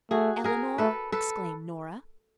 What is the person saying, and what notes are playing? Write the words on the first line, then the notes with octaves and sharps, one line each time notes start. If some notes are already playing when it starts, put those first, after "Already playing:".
"Eleanor?" exclaimed Nora.
A3 F#4 G#4
G#4 A#4
A3 A4 B4
A4 B4